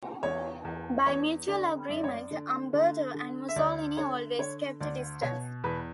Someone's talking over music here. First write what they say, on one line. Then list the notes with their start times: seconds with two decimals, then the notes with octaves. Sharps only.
By mutual agreement, Umberto and Mussolini always kept a distance.
0.23 E2 C#5
0.65 E2
1.06 E2 C#5
1.48 D3 D5
1.89 F#2 E5
1.96 D5
2.04 C#5
2.11 D5
2.31 D3
2.73 D3
3.14 D3
3.49 E5
3.56 D2 D5
3.97 D3 C#5
4.39 D3 C#5
4.80 D2 D5
5.22 B2 C#5
5.64 E2 B4